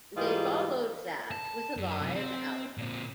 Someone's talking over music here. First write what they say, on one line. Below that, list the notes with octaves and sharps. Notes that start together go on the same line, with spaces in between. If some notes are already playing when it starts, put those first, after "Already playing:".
They followed that with a live album.
G#2 E3 G3 D#4 F4 G#4
A5
F#2
C3 F#3
C4
A#2 C4